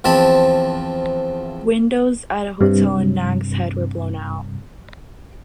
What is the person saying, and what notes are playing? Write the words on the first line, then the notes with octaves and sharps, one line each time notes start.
Windows at a hotel in Nags Head were blown out.
E2 F3 C4 A5 B5
G2 C3